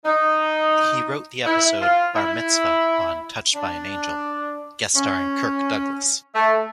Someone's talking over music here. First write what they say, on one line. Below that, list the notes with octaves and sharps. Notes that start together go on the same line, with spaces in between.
He wrote the episode 'Bar Mitzvah' on "Touched by an Angel", guest-starring Kirk Douglas.
D#4
E4
F4
E4
D4
C#4
A3